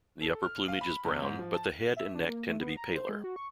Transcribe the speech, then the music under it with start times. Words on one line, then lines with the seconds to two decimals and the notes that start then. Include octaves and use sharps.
The upper plumage is brown but the head and neck tend to be paler.
0.21 A4
0.44 F6
0.68 F5
0.81 B5
1.05 E2
1.22 G#2
1.39 F3
1.54 A5
1.97 E5
2.15 D4
2.29 A#3
2.48 A3
2.60 B3
2.77 A#5
2.95 C5
3.09 G#3
3.24 F#4
3.36 C#6